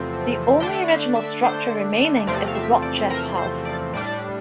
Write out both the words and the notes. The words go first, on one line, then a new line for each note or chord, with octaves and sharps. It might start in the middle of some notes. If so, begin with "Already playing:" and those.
The only original structure remaining is the Rotchev House.
Already playing: E2 C3 F3 A3 C4
D3 A3 D4 G5
F5
E5
C5
E2 C3 F3 A3 C4 D5
F5
E5
D5
A#4
C5
D5
A2 G3 D4 D5